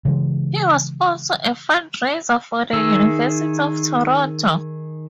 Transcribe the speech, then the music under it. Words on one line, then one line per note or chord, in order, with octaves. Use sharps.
He was also a fundraiser for the University of Toronto.
C#3 E3 G#3
D#3 G#4 E5